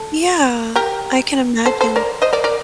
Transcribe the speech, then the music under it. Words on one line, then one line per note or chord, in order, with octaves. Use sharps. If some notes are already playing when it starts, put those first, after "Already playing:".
Yeah, I can imagine.
Already playing: A4
G4 A#4
A4 C5
A4 C5
A#4 D5
C5 D#5
A#4 D5
A#4 D5